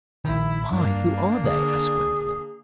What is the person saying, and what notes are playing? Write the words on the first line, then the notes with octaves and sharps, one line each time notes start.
"Why, who are they?" asked Gwendolen.
A#1 D#3 E4
G2 A#3 D4
D3 G#4